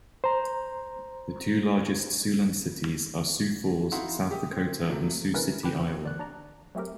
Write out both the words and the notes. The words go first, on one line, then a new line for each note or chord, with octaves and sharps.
The two largest Siouxland cities are Sioux Falls, South Dakota, and Sioux City, Iowa.
C5 A#5
D#4 E4 F#4 F5 F#5 C6
G4 D#6
C4
C3 F3 F#3 A3
C#3 B3 C#4 E4 A#4 B4
B4 G5 G#5 B5 D6
C#3 F3 C4
D5 F#6
D4 D5 A#5
F#3 A3 C4 G4 A#4